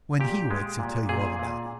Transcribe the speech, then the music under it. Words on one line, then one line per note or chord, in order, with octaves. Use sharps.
When he wakes he'll tell you all about it.
A#2 G4
G#3
A#2
A#2 G#4
A#2